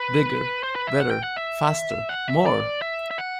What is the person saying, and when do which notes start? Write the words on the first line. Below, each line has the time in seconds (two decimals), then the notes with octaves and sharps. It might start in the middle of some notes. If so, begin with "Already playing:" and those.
Bigger, Better, Faster, More!
Already playing: B4
0.63 C5
0.75 B4
0.87 E5
1.00 F#5
1.11 G5
1.23 F#5
1.36 E5
2.09 F#5
2.28 E5
2.46 D5
2.82 E5
3.11 E5
3.18 F#5